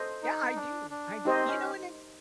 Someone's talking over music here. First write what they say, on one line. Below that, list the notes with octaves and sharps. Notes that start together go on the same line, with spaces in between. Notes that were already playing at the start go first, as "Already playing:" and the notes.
Yeah, I do, I do. You know, and it's
Already playing: A4 C5 D#5
D#4
D4
D4
C4 D#4 G4 C5 D#5
C#4